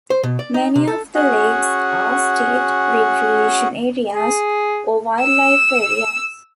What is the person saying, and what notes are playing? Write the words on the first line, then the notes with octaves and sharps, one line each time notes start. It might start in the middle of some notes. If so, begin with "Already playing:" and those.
Many of the lakes are state recreation areas or wildlife areas.
C5
B2
D5
D#4
C3
A4
C#4 F#4 G#4 F#5
G#4
E6